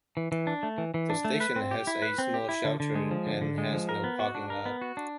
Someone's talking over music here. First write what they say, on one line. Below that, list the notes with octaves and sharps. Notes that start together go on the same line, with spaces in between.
The station has a small shelter and has no parking lot.
E3
E3
D4
A3
E3
E3
D4
A3
B4
C4
G4
E4
B4
C4
G4
E4
D3
D3
G#3
F3
D3
D3
G#3
F3
A#4
B3
F#4
D4
A#4
B3
F#4
D4